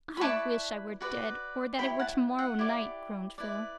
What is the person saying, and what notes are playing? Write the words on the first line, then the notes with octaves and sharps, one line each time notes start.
"I wish I were dead, or that it were tomorrow night," groaned Phil.
B5
E4 B4 D5 A5 C#6
F#4 B4 D5
E4 G4 C#5 G5 B5
F#5 A5
F#5
E4 G4 D5
E4 B4 D5